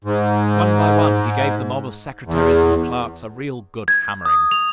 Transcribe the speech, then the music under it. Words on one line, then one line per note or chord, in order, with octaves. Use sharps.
One by one, he gave the mob of secretaries and clerks a real good hammering.
G#2
E2
G#6
D#6
F7